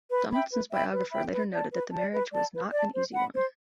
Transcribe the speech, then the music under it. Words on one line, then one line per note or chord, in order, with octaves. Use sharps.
Donaldson's biographer later noted that the marriage was "not an easy one".
B4
E5 G5 B5
B4
E5 G5 B5
B4
E5 G5 B5
B4
D5 A5
B4
D5 A5
B4
D5 A5
B4
D5 A5
C5
F#5 B5
C5